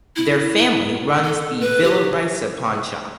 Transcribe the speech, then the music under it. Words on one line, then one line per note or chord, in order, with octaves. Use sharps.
Their family runs the Villarica Pawnshop.
E4
A4
B4
G4